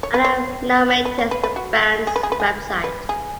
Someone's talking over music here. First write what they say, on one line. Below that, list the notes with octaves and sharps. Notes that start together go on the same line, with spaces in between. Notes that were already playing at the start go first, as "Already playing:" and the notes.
Adam now maintains the band's website.
C#5
B4
C#5
B4
C#5
B4
B4
F#4
G#4
B4
G#4
B4
G#4
B4
G#4